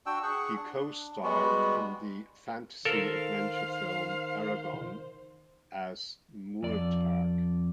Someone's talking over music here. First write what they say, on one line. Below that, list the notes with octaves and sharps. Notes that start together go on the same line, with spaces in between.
He co-starred in the fantasy-adventure film "Eragon" as Murtagh.
D4 F#4 G5 E6
G#4 F#5 C#6
D4
G3 G#3 B3 F#4
D#3 A4 A#4 C5 F5
F2 D5